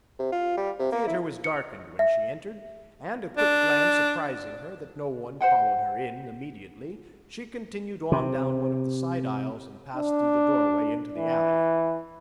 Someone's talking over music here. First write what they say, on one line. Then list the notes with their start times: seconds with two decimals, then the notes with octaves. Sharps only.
The theater was darkened when she entered and, a quick glance apprizing her that no one followed her in immediately, she continued on down one of the side aisles and passed through the doorway into the alley.
0.19 C3
0.32 F4
0.57 G3
0.79 C3
0.92 A#3
1.07 E4
1.44 C#7
1.99 E5
3.37 D4
5.41 C5 F#5 G5
8.12 C3
9.96 D4
11.15 E3